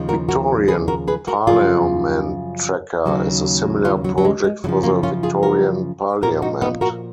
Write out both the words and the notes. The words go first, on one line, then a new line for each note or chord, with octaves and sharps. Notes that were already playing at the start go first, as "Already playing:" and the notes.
Victorian Parliament Tracker is a similar project for the Victorian Parliament.
Already playing: D#2 C#3 F3
F#4 A#4
F#4 A#4
G#4 B4
F#4 A#4
G#4 B4
F#4 A#4
F#2 C#3 F3 F4 G#4
D#2 C#3 F#3
C#4 F4
F#3
F#3
G#3
G#3
F#2 C#3 F3 F#3
A#3 C#4
C#4 F4
F4 G#4
F#4 A#4
A#2 F3 F#4 A#4
D#4 F#4
B3 D#4
F#4 A#4